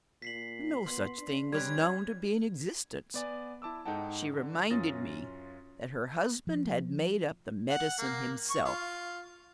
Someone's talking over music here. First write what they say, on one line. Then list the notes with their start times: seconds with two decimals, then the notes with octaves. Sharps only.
No such thing was known to be in existence--she reminded me that her husband had made up the medicine himself.
0.22 A#2 B6 C7 F#7
0.86 B3 C6
1.19 D4
1.53 G3 C#4 B4 G#6
3.14 B3 D5 G#5
3.62 E4 A5 D6 E6
3.85 G#2 D#4 A4 F#5 G5 A5
4.34 D3
4.70 F#2 C#4 F4 D#6 A6 A#6
6.47 F3
7.70 F#5
7.98 A#3
8.50 C#6
8.65 F4